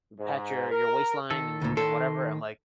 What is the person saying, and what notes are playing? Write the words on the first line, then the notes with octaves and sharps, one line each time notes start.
pat your your waistline and and whatever." I'm like
G#2
A#4
D#3 A4
D2 A#2
D#3 A4 C6